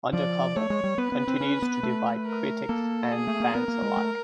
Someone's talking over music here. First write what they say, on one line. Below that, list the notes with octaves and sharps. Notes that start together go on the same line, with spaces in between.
"Undercover" continues to divide critics and fans alike.
F3 D5
A3 C#5
G#3
G3
B3 B4
B3
C4
C#4
B3
A3
A#4
A#3 A4
G#4
A3
A#3
B3 A#4
A#3
G#3
A3